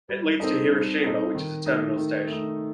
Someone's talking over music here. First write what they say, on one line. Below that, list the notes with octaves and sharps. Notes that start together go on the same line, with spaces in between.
It leads to Hiroshima, which is a terminal station.
G3
C4 D#4 A4 D#5
G3
C4 D#4 A4 D#5
D#3
A3 D#4
D#3
A3 D#4